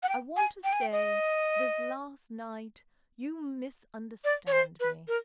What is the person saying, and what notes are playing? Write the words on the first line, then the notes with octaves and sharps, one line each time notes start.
I want to say--this last night--you misunderstand me.'
F#5
G5
G#5
G5
G#5
G5
D#5
D5
C#5
C5
B4
A#4